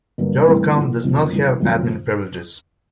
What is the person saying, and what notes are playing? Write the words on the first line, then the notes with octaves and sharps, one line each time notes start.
Your account does not have admin privileges.
G2 D3 F#3 A#3
G2 E3 A3 C4 E4
A2 F3 A#3
F2 C#3 F#3 A#3
G1 G2 E3
F2 D3 F#3 A3